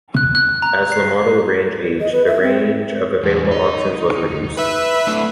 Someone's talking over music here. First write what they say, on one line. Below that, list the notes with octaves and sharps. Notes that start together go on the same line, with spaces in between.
As the model range aged, the range of available options was reduced.
F#6
F#6
A#5
C7
D#5
B4
E5
C4
E2 G3
D#4
B4 E5
A3 D4 E4